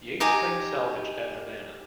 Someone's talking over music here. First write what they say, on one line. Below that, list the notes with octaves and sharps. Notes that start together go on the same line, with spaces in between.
Yates claimed salvage at Havana.
D#4 G4 G#5 A#5